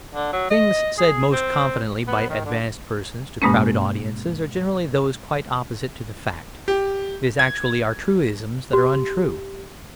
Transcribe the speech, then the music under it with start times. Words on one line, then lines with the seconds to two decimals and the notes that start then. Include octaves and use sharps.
The things said most confidently by advanced persons to crowded audiences are generally those quite opposite to the fact; it is actually our truisms that are untrue.
0.15 D3
0.33 F#3
0.50 D#5
0.98 G#4
1.32 C4
2.08 B3
2.30 D#3
2.45 D3
3.42 G2 B2 G#3 A#3 C#4
6.68 G4
7.39 G#6
8.73 G4